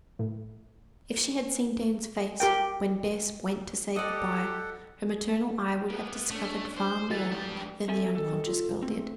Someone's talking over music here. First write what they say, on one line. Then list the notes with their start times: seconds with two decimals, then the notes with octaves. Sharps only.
If she had seen Dan's face when Bess went to say good-bye, her maternal eye would have discovered far more than the unconscious girl did.
0.19 A2
2.40 G4 A#4 G5
3.96 G4 A4 D5 D#5 F#5
5.90 A#3 B3
6.30 A3 C#4 D4
6.77 C5
7.10 E3 A3 F#4 A6
7.31 F2 G#2 D4 G4
7.88 C4 A4 E5 G#5
8.15 D#3 A4
8.45 F4
8.83 A3 C4